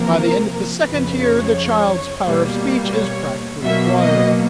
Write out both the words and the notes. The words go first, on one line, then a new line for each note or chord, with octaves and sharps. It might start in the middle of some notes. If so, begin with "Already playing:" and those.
By the end of the second year the child's power of speech is practically acquired.
Already playing: C3 F3 A#3 A#4
F2 C#3 F3 B4
C#5
B2 G3 A#3
C#5
B2 F#3 A#3 E5
D#5